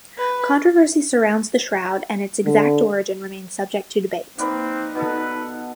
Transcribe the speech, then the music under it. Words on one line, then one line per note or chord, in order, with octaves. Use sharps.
Controversy surrounds the shroud and its exact origin remains subject to debate.
B4
D3
A#3 C4 D#4 B4 D5
B2 A4 B4